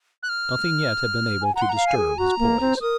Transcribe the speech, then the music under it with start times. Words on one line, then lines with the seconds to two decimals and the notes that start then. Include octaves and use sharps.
Nothing yet had been able to disturb his poise.
0.23 F#6
0.29 F6
1.42 G#5
1.55 F#5 A#5
1.62 C6
1.69 A#5
1.76 F5
1.87 G#5
1.97 G#4
2.18 F#4 A#5
2.39 A#3
2.60 C4
2.76 C5
2.81 A#4 D#6